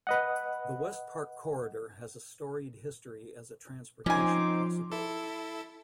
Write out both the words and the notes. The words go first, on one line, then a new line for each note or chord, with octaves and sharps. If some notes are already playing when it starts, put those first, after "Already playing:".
The Westpark corridor has a storied history as a transportation possibility.
B4 D#5 F#5
F3 C4 C#4 D#4 C5 G#5 D6
E4 A4